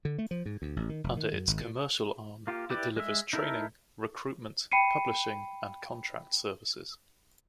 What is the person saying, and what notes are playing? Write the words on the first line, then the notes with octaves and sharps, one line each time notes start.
Under its commercial arm, it delivers training, recruitment, publishing and contract services.
D3
A3
F3
G#2
D2
A1
D#3
F1
D#3
F#2
G#1
A#2
A#3 F4 G4
E4 G4 B4 D5
G#3 E5
D#4 E4 A4 A#4 E5
G5 B5 C7 C#7 D#7